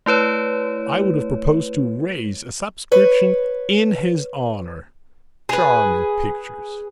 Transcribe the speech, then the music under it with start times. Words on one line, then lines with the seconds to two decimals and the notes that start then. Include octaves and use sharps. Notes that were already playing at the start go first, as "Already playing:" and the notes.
I would have proposed to raise a subscription in his honor! Charming pictures.
0.06 A3 E4 B4 C#5
2.92 B4 C#5
5.49 G#4 B4